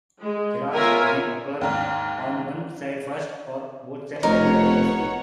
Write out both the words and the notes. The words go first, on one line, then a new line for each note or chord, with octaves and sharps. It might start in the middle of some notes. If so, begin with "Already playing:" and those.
Thelarche may occur on one side first, or both sides simultaneously.
G#3
B3 F4 A#4 C#5 E5 G#5
D#2 G#2 F6
F1 B3 D#4 A#4 C#5 F#5